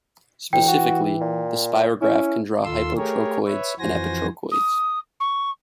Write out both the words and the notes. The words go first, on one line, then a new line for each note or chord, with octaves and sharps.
Specifically, the Spirograph can draw hypotrochoids and epitrochoids.
D2 E3 G5
F#4
A#2
C#4 E4
D#2 F4 A4 C6 E6
A3 G4 G#4 A#4 C#5
B4 C#5 E5
F2 E3 F#4 C5 G#5 A#6
D#6
C#6